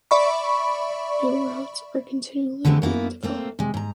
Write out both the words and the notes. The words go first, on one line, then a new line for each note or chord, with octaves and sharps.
New routes are continually being developed.
D5 E5 B5 C#6
D3 E3 G#3 A3 C4
F#2 A#3 B3 E4
A3 A#3 C4
C3 G#3
G#2 A#5